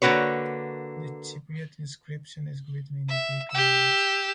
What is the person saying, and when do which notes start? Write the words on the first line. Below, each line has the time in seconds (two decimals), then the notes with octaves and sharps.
The Cypriot inscription is written in the Greek language.
0.02 D3 A#3 F#4 B4 C#5
3.09 E5
3.51 G4 E6